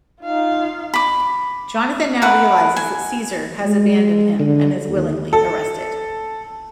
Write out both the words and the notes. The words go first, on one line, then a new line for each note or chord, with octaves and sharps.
Jonathan now realizes that Caesar has abandoned him, and is willingly arrested.
D#4 F4 F5
B5 D6
A#4 B4 F#5
G#5
G#3
D3
D#2
A4